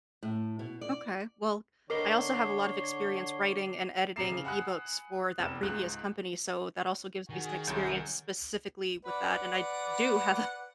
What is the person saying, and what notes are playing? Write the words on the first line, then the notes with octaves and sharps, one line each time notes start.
Okay. Well, I also have a lot of experience writing and editing ebooks for that previous company, so that also gives me some experience specifically with that, and I d do have a
A2
B2
D5
D3 A#4 B4 C#5 D#5 D6 C7 G7
A#1 C3 A#5 D6 C7 E7
C#3
F#5 G#5 B5 D#6 F#6
F1 E2 D6 E7
C#2 G#2 F#6
D#3 F#4 G#4
C2 F#2 G6
B4 D5 F#5